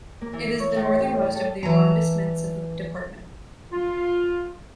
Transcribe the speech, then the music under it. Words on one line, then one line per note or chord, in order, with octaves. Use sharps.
It is the northernmost of the arrondissements of the department.
A#3
E3
C#5
A2
G4
F4
A4
E3 A5 A#5
F4